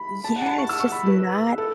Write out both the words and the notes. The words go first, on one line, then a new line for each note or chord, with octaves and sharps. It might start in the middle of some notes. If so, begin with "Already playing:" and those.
Yeah, it's just not
Already playing: B5
A5
F#5
A5
C#6
E6
C#6
B5
B4
A4